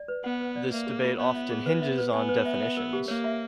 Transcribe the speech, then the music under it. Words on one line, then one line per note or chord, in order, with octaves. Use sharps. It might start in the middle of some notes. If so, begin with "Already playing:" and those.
This debate often hinges on definitions.
Already playing: D5
B4
B3 F#5
B4
D5
A#3 E5
G#4
F4
B3 C#5
E5
G#4
B4
E5
B4
B3 G#5
B4
E5
E5
A#4
G4
A#3 C#5
E5